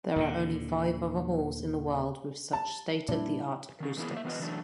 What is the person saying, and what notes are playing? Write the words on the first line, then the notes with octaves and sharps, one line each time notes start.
There are only five other halls in the world with such state-of-the-art acoustics.
D#2 A#2 D3
A5
A#2 G3 D4 E4
D#3 C#4
D3 E3 A#3 B3 E4 G#4
A#3 E5
E3 B3 F4 B4 D#5
D3 E3 F#3 A3 D4